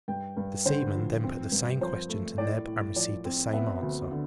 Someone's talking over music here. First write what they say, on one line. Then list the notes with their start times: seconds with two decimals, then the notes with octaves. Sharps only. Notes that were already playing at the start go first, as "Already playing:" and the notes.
The seaman then put the same question to Neb and received the same answer.
0.08 G2 G5
0.37 G2
0.66 D3 C5
0.95 F3
1.23 C4
1.52 G2
1.81 F3 C5
2.09 A3
2.38 A2 D5
2.67 A2
2.96 F3 D5
3.25 C4
3.53 B3 E5
3.82 D2
4.12 D3